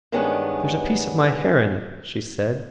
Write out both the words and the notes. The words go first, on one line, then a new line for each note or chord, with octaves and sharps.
"There's a piece of my hair in it," she said.
G2 D#3 G#3 B3 C#4 D4